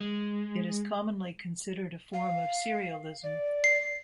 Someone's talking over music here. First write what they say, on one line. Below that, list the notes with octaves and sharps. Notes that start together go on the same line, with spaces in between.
It is commonly considered a form of serialism.
G#3
F5
D5
C7